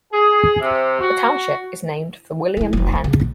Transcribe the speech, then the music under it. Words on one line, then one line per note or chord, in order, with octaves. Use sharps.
The township is named for William Penn.
G#4
C3
F#4
C4 E4
F1 D#3
C4 D4
C#3
A#1